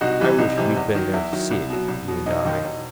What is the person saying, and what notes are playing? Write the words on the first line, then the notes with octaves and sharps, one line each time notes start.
I wish we had been there to see it, you and I.
C2 D#4 F#4
C3 E3 G3
C2 D#4
C3 E3 G3
E2
D#3 F#3
E2 E4
D#3 F#3
C2
B2 F#3
C2
B2 F#3
E1 D#4
D#2 D#3
E1